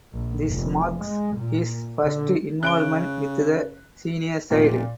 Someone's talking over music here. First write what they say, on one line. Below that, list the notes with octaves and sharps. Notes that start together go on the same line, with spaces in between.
This marks his first involvement with the senior side.
A#1
F1
G#3
A#2
D3
C#3 F#6 D7 G7
F1 A#2